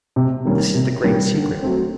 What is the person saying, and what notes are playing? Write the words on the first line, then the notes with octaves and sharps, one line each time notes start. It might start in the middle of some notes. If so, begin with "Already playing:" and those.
This is the great secret.
C3
D#3 G3 A#3 C#4
C3
D#3 G3 A#3 C#4
D3
F#3 A3 C4